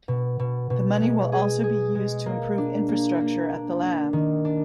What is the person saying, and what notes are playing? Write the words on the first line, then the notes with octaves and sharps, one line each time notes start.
The money will also be used to improve infrastructure at the lab.
B2
B2
B2
G#3
G#4
G#4
G#3
A#3
D4
A#3
A#3
D4
D4
D#3
D4